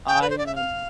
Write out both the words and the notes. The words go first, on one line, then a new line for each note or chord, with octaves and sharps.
I am
G5
B4
C5
D5
E5
F5